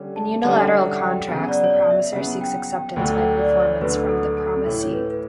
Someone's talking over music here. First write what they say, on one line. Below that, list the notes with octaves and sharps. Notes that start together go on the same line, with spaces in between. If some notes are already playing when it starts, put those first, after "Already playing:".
In unilateral contracts, the promisor seeks acceptance by performance from the promisee.
Already playing: D3 G3 C#4
A5
D3 G3 C#4
F#5
E5
F#5
G5
C#3 F#3 B3 F#5
D5
C#5
D5
E5
C#3 F#3 B3 F#5
G5
G5
D2 D3 F#3 A3 G5
G5
D5
C#5
D2 D3 F#3 A3 B4
A4
A4
A2 E3 A3 E4 C#5
C#5
B4
B4